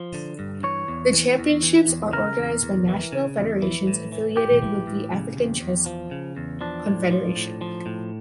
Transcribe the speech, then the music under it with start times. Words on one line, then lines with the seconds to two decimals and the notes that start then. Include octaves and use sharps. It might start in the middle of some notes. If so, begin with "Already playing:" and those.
The championships are organized by national federations affiliated with the African Chess Confederation.
Already playing: F3
0.14 D3
0.39 G2
0.63 E3 C#5
0.88 E2
1.13 E3
1.38 E2
1.63 E3
1.88 E2
2.13 C#3 A#4
2.38 E2
2.63 E2
2.88 E3
3.12 C#3
3.37 E2
3.62 E3
3.87 A2
4.12 E3
4.37 A2 G4
4.62 E3
4.87 A2
5.12 C#3
5.37 E2
5.61 E2
5.86 F3
6.11 C#3
6.37 E2
6.61 F3 D4
6.86 A2
7.11 F3
7.36 A2
7.61 F3
7.86 A2